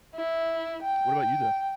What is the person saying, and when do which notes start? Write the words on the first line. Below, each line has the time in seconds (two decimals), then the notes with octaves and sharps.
What about you, though?
0.15 E4
0.82 G5